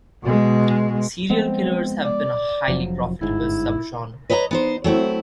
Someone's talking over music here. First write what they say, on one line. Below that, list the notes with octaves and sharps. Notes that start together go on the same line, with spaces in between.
Serial killers have been a highly profitable subgenre.
B2 G#3
F3 G#3 B3 C4
D5
F1 F3 F#3
G1 G#2 E4
B4 C#5 D#5 F5 A#5
B3 D#4 C5
F#3 A3 C4 E4